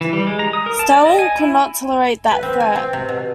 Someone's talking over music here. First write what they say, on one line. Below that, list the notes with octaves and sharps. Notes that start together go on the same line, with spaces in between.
Stalin could not tolerate that threat.
E3
G3
G#3
A#5
D#6
A#4
A5
D5
D#5
G#5
E4
B4
C4
G#5
C4
C3
B2